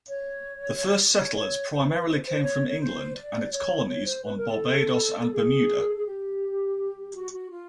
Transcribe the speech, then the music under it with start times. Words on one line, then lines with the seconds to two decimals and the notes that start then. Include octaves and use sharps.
The first settlers primarily came from England and its colonies on Barbados and Bermuda.
0.08 C#5
0.99 D5
1.17 C#5
1.35 C#5
1.71 C5
1.89 B4
2.07 C5
2.26 C5
2.37 D5
2.43 C#5
2.68 C#5
2.80 C5
3.16 D5
3.52 C#5
3.89 C#5
4.06 C5
4.25 B4
4.37 A#4
4.48 A4
5.33 G#4
5.78 A#4
5.87 A4
5.97 G#4
6.06 G4
7.14 F#4
7.32 F#4
7.50 F4